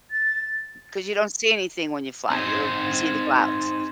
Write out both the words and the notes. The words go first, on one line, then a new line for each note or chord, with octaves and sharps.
'cause you don't see anything when you fly you're you see the clouds.
A6
C4 D#4 F4 G#4 C5